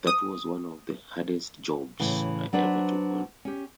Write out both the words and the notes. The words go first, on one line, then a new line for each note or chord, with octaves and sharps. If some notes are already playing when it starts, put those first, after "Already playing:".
That was one of the hardest jobs I ever took on.
D#6
A2 C#3 E3
F#3 D4 B4 C5
C#4 G4